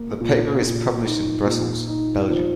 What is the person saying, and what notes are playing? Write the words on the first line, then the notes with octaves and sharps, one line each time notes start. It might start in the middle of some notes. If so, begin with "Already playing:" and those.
The paper is published in Brussels, Belgium.
Already playing: A#3
A#2
A#2
D#4
A#2
D#4
F3